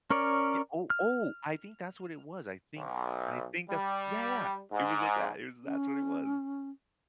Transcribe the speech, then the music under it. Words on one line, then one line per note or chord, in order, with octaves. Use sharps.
Ye oh! Oh! I think that's what it was. I think I think that yeah, yeah. It was like that it was that's what it was.
C#4 A#4 C#5 D5
F6
B1
G3
G#2
C#4